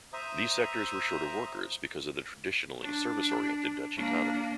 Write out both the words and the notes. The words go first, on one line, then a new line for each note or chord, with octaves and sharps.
These sectors were short of workers because of the traditionally service-oriented Dutch economy.
C5 E5 A#5 D#6
D4
A#3 D4